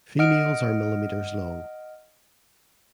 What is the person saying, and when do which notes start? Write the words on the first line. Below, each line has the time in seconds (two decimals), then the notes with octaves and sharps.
Females are millimeters long.
0.19 D#5 F#5 F6 D7